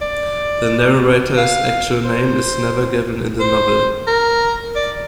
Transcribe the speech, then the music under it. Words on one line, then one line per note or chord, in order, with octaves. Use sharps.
The narrator's actual name is never given in the novel.
D5
F5
C5
C5
A#4
D5